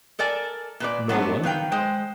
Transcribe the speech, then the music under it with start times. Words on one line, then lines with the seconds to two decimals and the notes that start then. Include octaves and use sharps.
"No one."
0.19 A4 A#4 D5 G#5 A5
0.80 A#2 B4 D5
1.09 F#3 A3 B3 C4 D4
1.43 D#3 B4 F5 G5
1.72 G#3 C5 G5